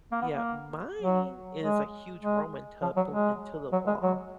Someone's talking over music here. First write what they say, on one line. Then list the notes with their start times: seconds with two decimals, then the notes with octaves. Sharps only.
yeah. Mine is a huge Roman tub built into the wall.
0.12 A#3
0.22 B3
0.32 A#3
1.02 F#3
1.63 G#3
2.22 G#3
2.82 F3
2.96 F#3
3.13 G#3
3.72 F#3
3.87 G#3
4.03 F#3